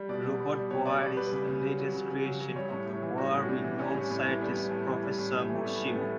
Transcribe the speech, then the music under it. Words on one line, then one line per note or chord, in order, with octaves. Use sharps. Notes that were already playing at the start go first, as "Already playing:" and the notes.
Robotboy is the latest creation of the world-renowned scientist Professor Moshimo.
Already playing: G3
B2 D5
B2
G3
G3
B2 C#5
B2 D5
G3 D5
G3 B4
C#3
C#3
F#3
F#3
C#3
C#3
F#3
F#3
G3 C#5
A2
A2
E3
G3 F#4
A2
A2 D4
E3
G3 C#4
A2
A2
E3
G3 B3
A2
A2
E3
G3
A2
A2
E3 A3
G3 B3
A2
B3
A2 A3